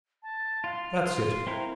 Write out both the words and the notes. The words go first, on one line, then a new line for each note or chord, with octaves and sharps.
That's it.
A5
F4 C6
C4 E4 A#4